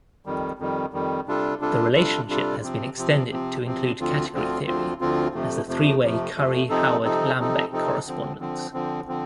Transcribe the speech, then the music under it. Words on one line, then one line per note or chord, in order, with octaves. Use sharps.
The relationship has been extended to include category theory as the three-way Curry-Howard-Lambek correspondence.
F2 D#3 G3
F2 D#3 G3
F2 D#3 G3
C3 G3 D4 F4 A4
C3 G3 D4 F4 A4
C3 G3 D4 F4 A4
C3 G3 D4 F4 A4
C3 F3 C4
C3 F3 C4
C3 F3 C4
C3 F3 C4
D2 D3 F3 C4 F4
D2 D3 F3 C4 F4
D2 D3 F3 C4 F4
D2 D3 F3 C4 F4
F2 C3 F3 A3
F2 C3 F3 A3
F2 C3 F3 A3
F2 C3 F3 A3
C3 F3 C4 D#4 A4
C3 F3 C4 D#4 A4
C3 F3 C4 D#4 A4
C3 F3 C4 D#4 A4
D3 F3 C4
D3 F3 C4
D3 F3 C4
D3 F3 C4